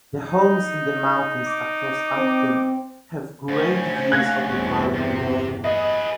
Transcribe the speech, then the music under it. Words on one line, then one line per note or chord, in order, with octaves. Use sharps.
The homes in the mountains around Acton have great views of the valley below.
D#4
D6
C4
D2 C#4 C5
F5 F#6 G#6 A#6
G1 E2 C4
C3
G#4 B4 D#5